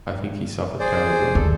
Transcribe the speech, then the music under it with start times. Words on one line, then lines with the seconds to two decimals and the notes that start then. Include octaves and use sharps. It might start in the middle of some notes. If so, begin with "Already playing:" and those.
I think he suffered terribly.
0.79 G#4 C5 D5
1.35 D#2 A4